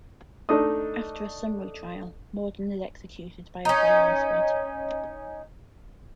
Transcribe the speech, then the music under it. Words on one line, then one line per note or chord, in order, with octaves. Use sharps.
After a summary trial, Morden is executed by a firing squad.
A3 D4 D#4 D#5 D#6
C#4 D#4